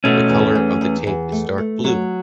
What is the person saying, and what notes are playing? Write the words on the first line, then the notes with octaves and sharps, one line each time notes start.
The color of the tape is dark blue.
B2 A3 C#4
E2
E2
E2
E2
A3
A3
F#3